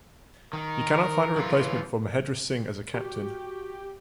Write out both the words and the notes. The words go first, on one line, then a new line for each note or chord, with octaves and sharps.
You can not find a replacement for Mahendra Singh as a captain.
D#3 A#4
E3 F4
F#4 G4